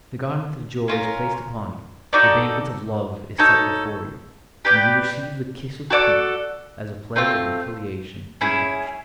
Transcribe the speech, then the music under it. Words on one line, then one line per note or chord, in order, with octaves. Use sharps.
The garment of joy is placed upon you, the banquet of love is set before you, and you receive the kiss of peace as a pledge of your filiation and adoption.
C#4 F4 A#4
D#4 F#4 A4 D5
D#4 F#4 A4 C#5
G4 B4 D5 G5
F#4 A4 D5 F#5
A3 C4 F4
C#4 E4 G#4